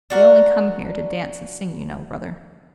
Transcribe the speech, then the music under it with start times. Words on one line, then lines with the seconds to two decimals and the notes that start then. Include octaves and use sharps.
They only come here to dance and sing, you know, brother.
0.10 D4 F#4 A#4